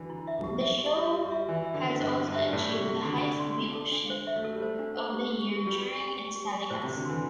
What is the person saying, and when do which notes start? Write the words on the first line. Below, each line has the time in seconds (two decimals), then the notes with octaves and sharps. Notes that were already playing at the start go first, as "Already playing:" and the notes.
The show has also achieved the highest viewership of the year during its telecast.
Already playing: D3 E3
0.10 E4
0.27 E5
0.44 G4
0.62 E5
0.79 G4
0.96 G3 E5
1.13 G4
1.22 G3
1.31 E5
1.49 E3 E5
1.66 E5
1.74 D3
1.83 C5
2.00 G2 C5
2.18 C5
2.27 G2
2.35 E5
2.48 G2
2.53 A2 D5
2.71 G4
2.79 C3
2.87 G4
3.05 D3 G4
3.22 D5
3.40 C6
3.58 A4
3.75 A4
3.92 D4
4.10 C5
4.27 E5
4.36 A3
4.44 A4
4.55 G3
4.62 A3 C5
4.79 D4
4.97 C5
5.13 G4
5.31 G4
5.49 G4
5.65 G3 G4
5.83 G4
6.01 G4
6.18 G4
6.36 G4
6.54 G4
6.70 A2 C5
6.83 C3
6.88 C5
6.96 D3
7.06 E3 C6